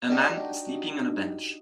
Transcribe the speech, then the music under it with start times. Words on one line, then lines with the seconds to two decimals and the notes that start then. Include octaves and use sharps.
A man sleeping on a bench.
0.10 D4 D#4 F#4 G4 D#5